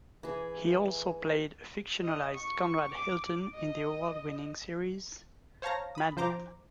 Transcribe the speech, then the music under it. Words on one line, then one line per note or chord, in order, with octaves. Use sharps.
He also played a fictionalized Conrad Hilton in the award-winning series "Mad Men".
E3 G#4
D#5
C#6
D6
D#5
C5 C#5 F5 A5 A#5 A#6
B5 D#6
F3 C5 A#5 D6